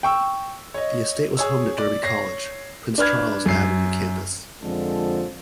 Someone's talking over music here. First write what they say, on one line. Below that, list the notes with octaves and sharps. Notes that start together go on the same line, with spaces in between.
The estate was home to Derby College, Prince Charles Avenue Campus.
G5 C#6 E6
C#5 D#5
G#4 C#5 E6
D5
C#5 A#6 C7
D4 B4 F6 G#6
F#2 C7
F2 D3 F3 G#3 A4